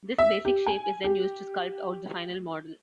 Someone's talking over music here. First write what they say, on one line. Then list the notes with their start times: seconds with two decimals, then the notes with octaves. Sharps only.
This basic shape is then used to sculpt out the final model.
0.18 E5
0.45 G4
0.66 G#5
1.04 G4